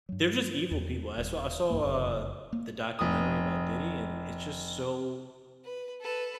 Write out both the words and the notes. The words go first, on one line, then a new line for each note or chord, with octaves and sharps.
They're just evil people, I saw I saw, uh, the documentary about Diddy, and it's just so
G2 F#3
E2
D#1
B1 G2 A#3
F1 F#2 C#3
A#3
F1 D#6
B4
A4 B4